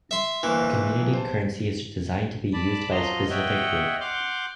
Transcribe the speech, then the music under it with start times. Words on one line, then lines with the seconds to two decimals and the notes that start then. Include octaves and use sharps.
A community currency is designed to be used by a specific group.
0.11 E5 C6
0.43 G1 E3 A#3 C5
0.99 F3 F#3
1.14 C5 A5
2.53 D5 A5 B5
2.91 F3 F#3 D#5 A#5 C6
3.30 C#5 D#5 E5 F#5 G5
4.01 F#5 C6 D6 F6 G6